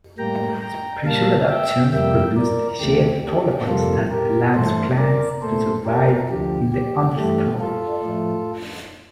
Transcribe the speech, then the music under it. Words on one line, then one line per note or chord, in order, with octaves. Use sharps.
Special adaptations produce the shade tolerance that allows plants to survive in the understory.
A2 G3 A#3 G5 A#5
G5 A#5
A#2 G3 A#3 F5 A5
E5 G5
F2 C3 G3 A#3 E5 G5
A#4 D5
D2 C3 E3 A3 G4
G4
F2 C3 G3 A#3 F4 A4
G4 A#4
G2 E3 A3 A4 C5
A#4 D5
A#2 A3 A4 C5
G4 A#4
D2 D3 F3 G4
G4
G2 E3 A3 G4
F4 A4
A2 F3 A3